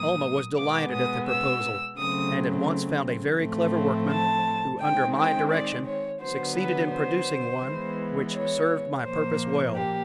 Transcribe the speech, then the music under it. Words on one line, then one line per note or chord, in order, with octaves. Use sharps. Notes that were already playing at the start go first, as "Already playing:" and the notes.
Almah was delighted at the proposal, and at once found a very clever workman, who under my direction succeeded in producing one which served my purpose well.
Already playing: A2 F#3 A#3 D#6
B2 G#3 B3 D6
D#6
E6
C#3 F#3 A3 C4 D#6
A2 F3 A3 C4
A5
D#3 G#3 C4 G5
G5
D5
C#5
D3 F#3 B3 C5
B4
C5
E3 G#3 B3
C#5
A#2 F3 A#3 C5
G4